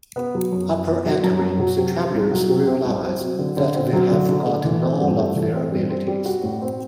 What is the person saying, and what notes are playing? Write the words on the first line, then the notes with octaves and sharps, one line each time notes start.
Upon entering, the travelers realize that they have forgotten all of their abilities.
B3
F#3
F#2
F#2
B3
F#3
F#2
F#2
F#3
C3
C4
C2
F#3
C3
C4
C2
C4
F#3
D3
D3
C4
F#3
D3
D3
A3
E3
C4
G2
A3
E3
C4
G2
C4
G3
F#4
A2
C4